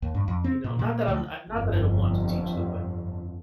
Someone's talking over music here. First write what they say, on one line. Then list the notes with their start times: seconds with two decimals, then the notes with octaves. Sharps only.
You know, not that I'm I not that I don't want to teach them, but
0.02 D#2
0.15 G2
0.28 F2
0.44 C4
0.64 A#2
0.79 A#2
1.08 D2
1.48 G1 F2